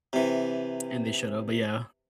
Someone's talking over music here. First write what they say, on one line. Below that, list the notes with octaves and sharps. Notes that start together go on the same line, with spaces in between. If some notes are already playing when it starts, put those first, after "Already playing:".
And they should've, but yeah.
C3 E3